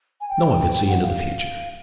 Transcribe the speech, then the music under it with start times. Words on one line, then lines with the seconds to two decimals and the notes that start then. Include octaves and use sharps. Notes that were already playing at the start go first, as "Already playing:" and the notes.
No one could see into the future.
0.21 G#5
0.29 G5
0.89 F#5
1.02 F5